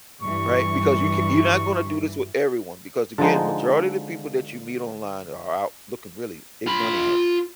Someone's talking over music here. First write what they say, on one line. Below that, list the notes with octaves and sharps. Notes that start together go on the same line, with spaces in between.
Right? Because you ca you're not gonna do this with everyone because, again, majority of the people that you meet online are out looking really they money honey.
G2 E3 C#6
D3 F3 G#3 D#4
F4 B5